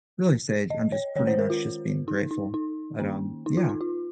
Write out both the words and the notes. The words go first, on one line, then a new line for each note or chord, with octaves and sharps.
really say, I'm just pretty much just being grateful, but, um, yeah,
D#5
C#5
D#3 G#3 C#4 C#5
C5
A#4
F4
D#4
D#4
D#4
D#3 A#3 C#4
D#4
F4
D#4
F4